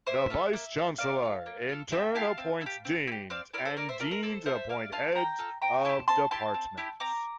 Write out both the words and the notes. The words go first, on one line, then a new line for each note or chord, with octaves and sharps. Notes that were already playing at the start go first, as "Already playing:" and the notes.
The Vice Chancellor in turn appoints deans and deans appoint heads of departments.
A#3 C5 E5
F4 A4
A#3
F4 A4
A#3 D5 F5
F4 A4
A#3
F4 A4
C4 E5 G5
E4 G4 F5 A5
C4
E4
G4
C4
E4
G4
C4 D5 F5
E4 G4 A#4 D5
A4 C5
A#3 A#4 D5
C5 E5
F4 A4 A#4 D5
A#4
A#3 A4 C5
F4 A4 C5 E5
A#3 D5 F5
F4 A4 F5 A5
A#3 G5 A#5
F4 A4
C4 G5 A#5
E4 G4 A5 C6
C4 A5 C6
E4 G4 A5 C6
C4
E4 G4
C4 A#5 D6